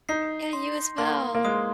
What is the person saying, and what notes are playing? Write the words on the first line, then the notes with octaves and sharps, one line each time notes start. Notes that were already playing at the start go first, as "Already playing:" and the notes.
Yeah, you as well.
D#4 C7
C6
A#3 C6
A#3
G#3 D#6